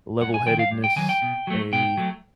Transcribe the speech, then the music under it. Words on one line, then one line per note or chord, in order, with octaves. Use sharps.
level-headedness, a,
G2 F#5
G#5
D#3 F#3 G5
F5
G2
G5
D#3 F#3 G#5
G5
B2
F#3 A3
B2 G5
F#3 A3